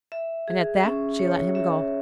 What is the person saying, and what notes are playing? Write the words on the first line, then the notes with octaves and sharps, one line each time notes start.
And at that she let him go.
E5
G#4
C#4
C#5
E5